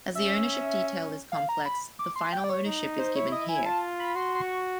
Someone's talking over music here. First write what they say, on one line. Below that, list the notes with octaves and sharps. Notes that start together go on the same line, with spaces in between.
As the ownership detail is complex, the final ownership is given here.
C#4 E5
F5
A#5
B5
D6
C6
G5
D5
C#5
D#4
C5
E4 C#5
D#5
G#5
F4 A5
B5
F#4 C6
C6
C#6